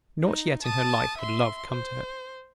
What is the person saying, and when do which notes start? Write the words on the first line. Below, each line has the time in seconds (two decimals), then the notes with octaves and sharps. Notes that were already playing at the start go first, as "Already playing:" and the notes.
Not yet in her life had love come to her.
0.23 D#4
0.62 A5 D#6
1.17 E5 C6
1.69 C5